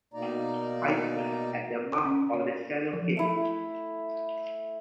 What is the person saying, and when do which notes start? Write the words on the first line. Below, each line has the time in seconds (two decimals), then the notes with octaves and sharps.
I sat at the mouth of the shallow cave.
0.14 B2 A#3 D#4 D5 A#5
2.05 C#4
2.34 C#5
2.93 F3
3.17 A3 E4